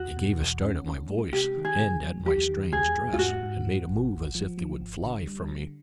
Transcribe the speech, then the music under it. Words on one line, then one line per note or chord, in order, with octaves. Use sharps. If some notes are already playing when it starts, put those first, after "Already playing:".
They gave a start at my voice and at my strange dress, and made a move as if they would fly from me.
Already playing: E2 F#4
B2
E2
C#4
C#4
G#3
C3 G4
D#3
G#4
C3
F#3
E2 G4
D#3
E2 G#4
E2
F4
G#2 F#4
G#2
F3
G#1
G#1
F3
F3
G#1
D3
G3
D3